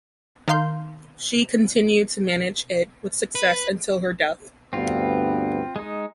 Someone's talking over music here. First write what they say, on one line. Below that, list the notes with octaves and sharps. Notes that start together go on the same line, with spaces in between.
She continued to manage it with success until her death.
D#3 A#4 F5 C6 G6
B4
D2 G2 B3 C4 F4
G#3 D#4